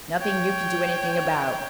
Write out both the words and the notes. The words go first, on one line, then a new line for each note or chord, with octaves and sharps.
Nothing you can do anything about.
C#5 G5